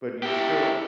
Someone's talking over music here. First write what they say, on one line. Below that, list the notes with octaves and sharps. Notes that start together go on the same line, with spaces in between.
but you still
E4 G4